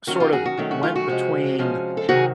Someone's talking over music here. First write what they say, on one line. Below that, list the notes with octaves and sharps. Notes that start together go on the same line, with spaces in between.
sort of went between,
D#3 F#3 A3 C#4 F#4
F4 G4
F#4 G#4
F#4
D#3 F#3 A3 C#4
F#4
F4
F#4
C3 F3 G#3 C#4
C3 F3 G#3 C#4
A4
C3 D#3 F#3 F#4 G#4